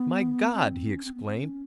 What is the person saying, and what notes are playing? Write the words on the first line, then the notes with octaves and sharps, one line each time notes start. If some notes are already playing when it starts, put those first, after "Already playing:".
"My God!" he exclaimed.
Already playing: B3
C4
C#4
C4
B3
C4
C#4